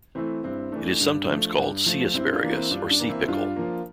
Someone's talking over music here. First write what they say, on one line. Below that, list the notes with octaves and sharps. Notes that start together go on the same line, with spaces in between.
It is sometimes called sea asparagus or sea pickle.
E3 A3 C4 E4
G2 C4 E4
E3 A3 D4
G2 D4
F3 A3
G2
F3 A3
G2 C4 E4
D4 F4
E3 A#3
C4 E4
G2 D4 F4
D4
E3 A#3
C4 E4
G2 D4 F4
F3 A#3